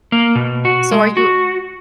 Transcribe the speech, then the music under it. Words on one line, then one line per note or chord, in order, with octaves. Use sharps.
so are you
A#3
B2
F#4
G#3
F#4